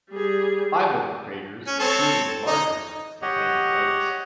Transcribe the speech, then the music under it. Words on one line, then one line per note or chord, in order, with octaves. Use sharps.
Five of the craters, including the largest, contain lakes.
G3 G#4
C#4
C4 A4 C#5
D#4 D#5
G4 C#5 D#5 F#5